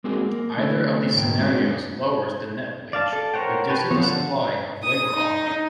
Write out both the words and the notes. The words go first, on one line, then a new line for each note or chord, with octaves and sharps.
Either of these scenarios lowers the net wage, reducing the supply of labor offered.
G#3 A#3 C4 F#4 G#4
A#3
D3 A3 E4
D2 G#2 A#3 G5
G#3 C4 D4 F#4 G#4
D5 F5 A5
A4
A#4 C5 C#5 F#5 G5
G4 B4 C#5 A5
F3 B3 C4 C#5
D3 A4 F#5
D#6 D#7
D#4